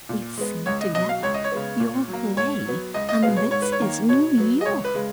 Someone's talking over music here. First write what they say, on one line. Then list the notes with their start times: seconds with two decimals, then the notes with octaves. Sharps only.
We've seen it together--your play--and this is New York!
0.09 A#2
0.38 G#3 B3
0.66 C#2 C#5
0.81 D#5
0.95 B2 F#3 D#5
1.09 F5
1.23 C#2 C#5
1.34 D#5
1.44 C#5
1.52 C#3 G#3 B3
1.80 A#2
2.08 F#3
2.13 A#3
2.37 G#2 C#5
2.66 F#3 B3
2.94 C#2 D#5
3.09 D#5
3.23 B2 G#3 B3 F5
3.37 C#5
3.51 G#2 C#5
3.62 B4
3.72 C#5
3.79 D#3 A#3
4.09 B2 C#5
4.38 F#3 B3
4.61 D#5
4.65 C#2 C#5
4.85 B4
4.94 C#3 G#3